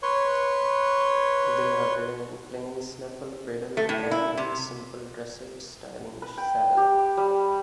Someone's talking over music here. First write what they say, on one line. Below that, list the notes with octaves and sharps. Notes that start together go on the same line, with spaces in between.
They are ridden in a plain snaffle bridle and a simple dressage-style English saddle.
B4 C#5 C6 C#6
A3
A2
E4
C3
B4
G5
G4
G3